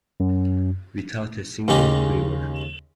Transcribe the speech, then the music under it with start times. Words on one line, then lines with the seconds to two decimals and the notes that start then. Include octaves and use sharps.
Without a single quiver.
0.20 F#2
1.68 D#2 C#3 G#3 D#4 G4